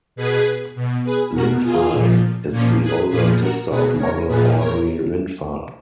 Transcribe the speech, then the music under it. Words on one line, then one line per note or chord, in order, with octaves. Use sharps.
Lindvall is the older sister of model Audrey Lindvall.
B2 G#4 B4
B2
G#4 B4
B2 F#4 A#4
F4 G#4
A#2 F3
A#2 F3 A#3 C#4
G#4 B4
A#2 F3 G#4 B4
F#4 A#4
B2 G#4 B4
A#4 C#5
A#2 F3 G#4 B4
A#4 C#5